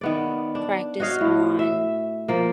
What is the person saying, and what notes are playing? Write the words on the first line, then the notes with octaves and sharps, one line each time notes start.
practice on
D#3 B3 D5
D4
F#4 C#5 D#5 F5
A2
E5
F3 A#3